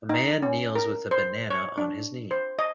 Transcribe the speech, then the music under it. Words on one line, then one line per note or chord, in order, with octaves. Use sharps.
A man kneels with a banana on his knee.
D#4
C#4
A#4
C5
C#5
D4
C5
D#5